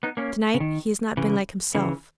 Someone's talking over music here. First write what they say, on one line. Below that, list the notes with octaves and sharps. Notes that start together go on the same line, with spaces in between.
'To-night he has not been like himself.
B3 D#4
A#3 C#4
C#3
D#3
C#3 E3
C#3 E3